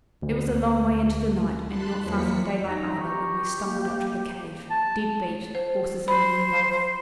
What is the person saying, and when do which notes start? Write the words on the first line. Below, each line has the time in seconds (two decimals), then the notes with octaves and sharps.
It was a long way into the night, and not far from daylight either, when we stumbled up to the cave--dead beat, horses and men both.
0.22 D2
1.64 A5 B5 C6 F#6
2.00 E2 F3 F#3 A#3 B6 C#7
2.68 D#4 A#5
3.01 G4 C#6
3.63 A#3
4.71 A5
5.55 C5
6.08 C5 B5